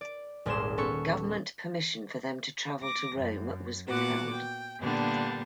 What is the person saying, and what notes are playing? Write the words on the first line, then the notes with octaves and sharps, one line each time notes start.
Government permission for them to travel to Rome was withheld.
D5
D#1 G#1 G#4 C6 E7
B3 C#4 A4 C#6 C#7
D6 A#6
F#2
A#2 B3 F#4 F#5 D6
G5
A#2 D3 G3 A#3 B3 D4